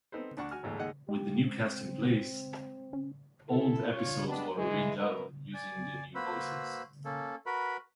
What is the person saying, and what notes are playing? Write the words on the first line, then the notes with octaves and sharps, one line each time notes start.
With the new cast in place, old episodes were re-dubbed using the new voices.
B3 C4 D#4 A4 B4 C5
D2 D4 F#5 C#6
F#4 G#5 F6
G#1 D#2 G#2 F3 G#3 A3
D#2 G#3 D#4 D#5 F#5
G#3 G4
C4
C#4
E4 A4
D4 F4 C#5
G3 G#3 B3 D4
E3 G#3
F#2 F#3 A#4 B4
D5 G#5
A#3 F#4 B4 C5 B5 E6
A#3 C#4 A4
F#4 A#4 B4 B5